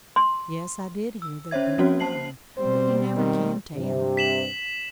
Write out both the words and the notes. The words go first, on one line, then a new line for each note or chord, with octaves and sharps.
Yes, I did hear there'd been a fire, but you never can tell.
C6
E6
C#4 C5 C#5 E5 G#6
F3 A#3 C4 C#4 F#4 C#5
C5 A5 C7 F#7
B2 G3 C4 C5
D#3
G2 C3
B6 E7 F#7